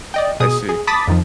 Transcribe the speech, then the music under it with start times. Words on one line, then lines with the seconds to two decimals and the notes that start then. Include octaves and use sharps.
I see.
0.14 D5 D#5 G5
0.40 B2 G#4 D#6
0.69 G#4
0.87 A5 B5 D6 D#6 A6 B6
1.07 F2 D#3 F3